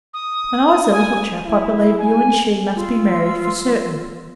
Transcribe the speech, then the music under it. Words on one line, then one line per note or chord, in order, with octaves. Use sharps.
When I was a little chap I believed you and she must be married for certain.
D#6
G#5
E4
G#5
F4 E6